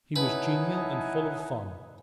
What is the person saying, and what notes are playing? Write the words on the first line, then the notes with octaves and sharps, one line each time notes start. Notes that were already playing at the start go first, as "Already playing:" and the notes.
He was genial and full of fun.
D#4 E4 B4 C#5 F#5 G#5 A5 D#6